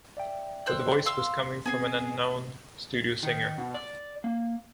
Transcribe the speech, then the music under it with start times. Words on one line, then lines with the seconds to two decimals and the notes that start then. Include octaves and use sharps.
But the voice was coming from an unknown studio singer.
0.17 D5 E5 G5
0.66 C5 E6 F#6
1.06 F5 C6 E6
1.66 B3 C4 G#4 G#5 C7
3.23 D#3
3.58 B2
3.74 D5
4.24 A#3